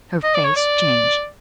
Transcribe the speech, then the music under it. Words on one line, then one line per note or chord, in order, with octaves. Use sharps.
Her face changed.
D#5
D5
C#5
D5